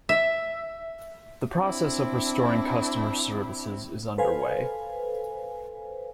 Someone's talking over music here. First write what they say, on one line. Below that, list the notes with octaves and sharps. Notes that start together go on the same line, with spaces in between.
The process of restoring customer services is underway.
E5
C4 D4 E4
A4 B4 C5 F5 G#5